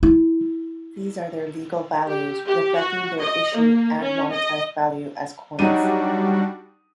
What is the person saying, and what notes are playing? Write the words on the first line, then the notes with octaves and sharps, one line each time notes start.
These are their legal values reflecting their issue and monetized value as coins.
E4
G4
G4
F#4
D#5
A#3
C#4
D#5
F#3 G3 D4 D#4 F#4 D#7